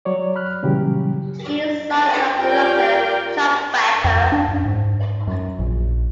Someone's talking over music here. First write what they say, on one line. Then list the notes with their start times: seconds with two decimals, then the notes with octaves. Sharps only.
He is son of the director Jacques Becker.
0.05 F#3 C#5 D5
0.36 B5 F6 F#6
0.62 A#2 C#3 E3 F#3 G3 G4
2.38 F4 G4 A#4 D5 G5
4.04 F2
4.32 D4
4.48 F#2
4.66 G#2
5.27 F#2
5.59 A#1